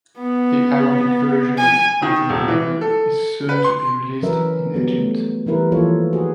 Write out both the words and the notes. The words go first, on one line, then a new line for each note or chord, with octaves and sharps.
The Arabic version of the novel is soon to be released in Egypt.
B3
G#5
D#3
D#1
E3
A4
B4
C6
E3 F#3 C#4 A#4 B4 E5
F#3 G3 B3
A3
E3 G3 E4 A#4 B4
E3 F3 A#3 F4 A4 C#5
F#4 G#4